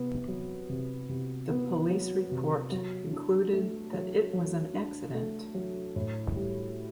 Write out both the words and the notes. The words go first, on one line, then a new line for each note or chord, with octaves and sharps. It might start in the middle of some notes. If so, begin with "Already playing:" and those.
The police report concluded that it was an accident.
Already playing: C3 B3
F#3
C3
C3
B3
F#3
C3
F#3
D4
A3
F#3
F#3
D4
A3
F#3
A2
G3